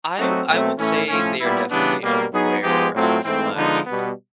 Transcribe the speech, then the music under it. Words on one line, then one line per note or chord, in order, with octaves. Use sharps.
I w I would say they are definitely aware of my
F#3 A3 C4 D#4 F#4
B2 F#3 A3 C4
A2 E3 A3 C#4
A2 F3 A3 C#4
A#2 G3 B3 E4
C#3 E3 G3 B3 D4
B2 G3 A#3
F#3 B3 D#4 G#4
F3 G#3 B3 D#4 G4
A2 F#3 A3 C4 F4
G#2 E3 A3 C4
D3 F3 G#3 B3 D#4
B2 G3 B3